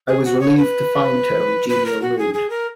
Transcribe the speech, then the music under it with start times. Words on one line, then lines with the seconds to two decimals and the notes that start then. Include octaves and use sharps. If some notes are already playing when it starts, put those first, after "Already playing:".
I was relieved to find her in genial mood.
0.08 G#4
0.25 F#4
0.41 C#5
0.57 B4
1.69 B4
1.86 A#4
2.02 F#4
2.19 G#4
2.34 G#4
2.50 A#4